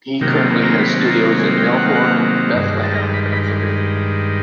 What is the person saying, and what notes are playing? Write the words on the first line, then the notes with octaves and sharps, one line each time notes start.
He currently has studios in Melbourne and Bethlehem, Pennsylvania.
C3 D#3 F#3 A#3 G5
A5
A#5
B5
A5
A#5
G#5
G5
F#5
F5
F#5
G2 D#3 G#3
A5
A#5
B5
B5